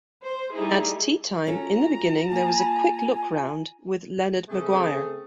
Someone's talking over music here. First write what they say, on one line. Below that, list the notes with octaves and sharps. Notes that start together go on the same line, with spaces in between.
At teatime in the beginning there was "A Quick Look Round" with Leonard Maguire.
C5
G3 A3 D#4 E4 G#4
F#3 C#4 F4 A4 A#5
A#3 G#5
C#3 A3 C4 G#4 A4